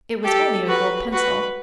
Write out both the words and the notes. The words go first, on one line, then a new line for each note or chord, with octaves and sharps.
It was only a gold pencil.
G4 A4
F#4 B4
F#4 B4